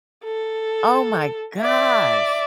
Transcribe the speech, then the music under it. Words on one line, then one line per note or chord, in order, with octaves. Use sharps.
Oh my gosh.
A4
D5 E5